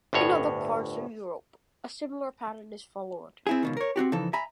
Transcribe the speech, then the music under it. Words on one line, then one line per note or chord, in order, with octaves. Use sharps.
In other parts of Europe, a similar pattern is followed.
G1 D2 A2 C#5
C4 E4 G#4
C#2 B2 D#3
A#4 C#5
C4 D#4 F#4 G4
C#3 E3 F3 D#4 A4
E5 G#5 A#5 B5